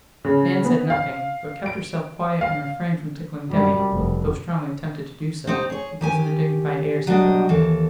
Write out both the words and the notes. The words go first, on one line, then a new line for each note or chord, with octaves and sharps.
Nan said nothing, but kept herself quiet and refrained from tickling Demi, though strongly tempted to do so, because of the dignified airs he put on.
C#3
B3
F5
D7
F5
F#2 G3
F1
C4 D#4 G4
G#4 C#5
D#3 G4 G#5
F#3 G3 D4 D#5
D#2 E3 A4